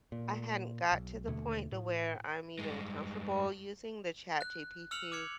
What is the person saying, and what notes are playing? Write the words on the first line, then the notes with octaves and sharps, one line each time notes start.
I hadn't got to the point to where I'm even comfortable using the ChatGPT.
A#2
B1
D#2 B2 D3 A3
A2
G2 G#3
F#6
E6 F6 C#7 F7 F#7
D6 F6 G#6 C#7